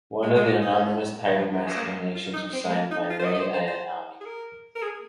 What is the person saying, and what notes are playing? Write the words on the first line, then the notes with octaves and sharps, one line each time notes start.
One of the anonymous "Tiger Mask" donations was signed 'Rei Ayanami'.
G#3
G#3
A#3
D#4
D#3
F3
D#3
F3
A#3
F4
D#4
C4
G#3
A#3
D#4
F4
C5
D#5
D#5
C5
C5
C5
G#4
A#4
A#4
G#4